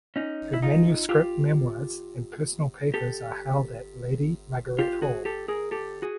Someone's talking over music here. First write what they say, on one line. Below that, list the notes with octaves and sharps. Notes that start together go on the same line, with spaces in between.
Her manuscript memoirs and personal papers are held at Lady Margaret Hall.
C#4 D#4
E4
D#4 F4
F4 G4
G4 A4
F4 G4
F#4 G#4
G4 A4
G#4 A#4
G4 A4
F#4 G#4